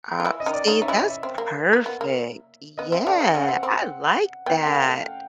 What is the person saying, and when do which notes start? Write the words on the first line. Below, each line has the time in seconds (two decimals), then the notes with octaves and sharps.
Opps see, that's perfect. Yeah, I like that.
0.20 F4
0.25 E3 E4
0.40 D#5
0.46 D#3 D#4
0.53 D5
0.67 D#3 D#4 C#5
0.82 D#4 E5
0.88 E3 E4 D#5
0.99 D#5
1.10 E5
1.23 C4
1.38 A#3
1.73 A#3
1.86 B3
2.01 A#3
2.78 B3 D#5
2.92 C4 E5
3.06 D3 D4 F5
3.20 C#3 C#4
3.35 C#3 C#4
3.41 F#5
3.48 C4
3.63 C4
4.46 B3 G5
4.61 F#5
4.67 A#3
4.74 F5
4.82 G#3
4.88 A3